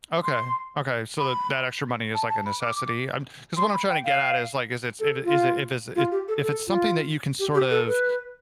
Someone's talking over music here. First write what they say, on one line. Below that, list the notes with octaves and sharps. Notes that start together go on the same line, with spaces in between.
Okay okay so, that that extra money is, like, a necessity, I'm 'cause what I'm trying to get at is, like, is it's it a is it if it's a if if it's something that you can sort of
C6
B5
A5
A5
B5
D6
C6
B5
G5
F5
A4
F4
F4
G4
A4
A4
F4
G4
G4
A4
B4